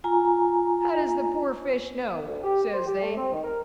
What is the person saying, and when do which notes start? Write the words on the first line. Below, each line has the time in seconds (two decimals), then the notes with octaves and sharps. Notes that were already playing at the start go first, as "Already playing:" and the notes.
How does the poor fish know?' says they.
0.04 F4 G#5 A#5
2.27 D2
2.44 G4
2.73 C5
2.87 G4
3.02 A3
3.17 C4
3.32 D#3
3.44 A#4